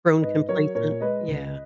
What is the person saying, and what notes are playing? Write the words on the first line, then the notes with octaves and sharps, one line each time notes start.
Grown complacent, yeah.
G#2 B4 D#5
F#3 A#4 C#5
A#2 A#4 C#5
G#3 B4 D#5
C#2